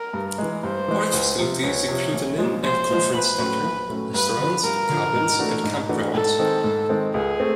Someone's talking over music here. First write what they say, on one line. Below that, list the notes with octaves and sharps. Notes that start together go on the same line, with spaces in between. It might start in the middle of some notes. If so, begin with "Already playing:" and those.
Park facilities include an inn and conference center, restaurant, cabins, and campgrounds.
Already playing: A#4
G2
E3 G#3
G2 C5
E3 G#3
C#2
C3 F3
C#2 C#5
C3 F3
A#1
A#2 F3 G#3
A#1 C5
A#2 F3 G#3
A#1 B4
A2 F#3 A3 C#4
A#1
A2 F#3 A3 C#4
G2 B4
D3 F3
G2 A#4
D3 F3
G#2
E3 A3 D4 F#4
G#2
E3 A3 D4 F#4
G#2 A4
D#3 G#3 C4
G#2
D#3 G#3 C4
C#2 G#4
A3 C4